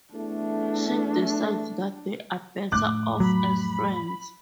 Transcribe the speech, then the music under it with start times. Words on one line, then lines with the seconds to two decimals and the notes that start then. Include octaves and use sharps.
She decides that they are better off as friends.
0.14 E2 A3 D4
2.72 F2 A2 D6 F#6
3.20 F#3 B5